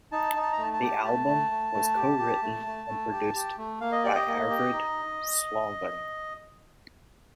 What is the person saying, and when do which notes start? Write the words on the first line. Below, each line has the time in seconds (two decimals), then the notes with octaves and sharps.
The album was co-written and produced by Arvid Solvang.
0.12 D#4 A5
0.36 D#4
0.42 A5
0.52 A#5
0.58 A3 A5
0.73 A5
0.82 G4
1.04 A3 A5
1.27 A3
1.51 A3
1.73 A3
1.96 G4
2.19 G4
2.43 A3
2.66 A3
2.89 A3
3.12 G4
3.35 G4
3.58 A3
3.80 A#3 F5
3.92 D#5
4.03 G4 D5
4.15 D#5
4.27 A#3
4.50 G4
4.73 D#4